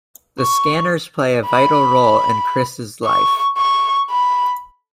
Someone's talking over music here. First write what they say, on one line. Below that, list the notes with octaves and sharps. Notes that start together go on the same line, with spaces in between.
The scanners play a vital role in Chris' life.
C#6
B5
C#6
C#6
B5